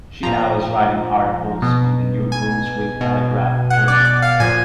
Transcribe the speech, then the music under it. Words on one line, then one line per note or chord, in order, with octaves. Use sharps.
She now is writing articles in the "New Brunswick Telegraph-Journal".
A#2 F3 A#5
B2
G#5
B2
F#5
D5
D5
F5
A#2 F3 G#5